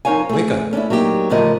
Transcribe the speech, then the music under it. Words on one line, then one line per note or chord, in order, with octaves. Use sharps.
Wake up!
F2 D#4 A#4 C#5 F5 G#5
A3 G#4
C#4 D4 E4
F#3 A#3 D#4 G4
A2 C#3 E3 F3 A#4 D#5